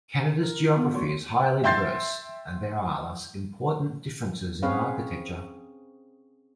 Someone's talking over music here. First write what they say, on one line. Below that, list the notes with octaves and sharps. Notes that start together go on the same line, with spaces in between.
Canada's geography is highly diverse, and there are thus important differences in architecture.
A#4
E3 B3 F4
D2 F#3 F#4 C#5 D5 C6
E5 G5 C6 G6 A6 C7
C4 C#4 G#4 B4 C#5 F5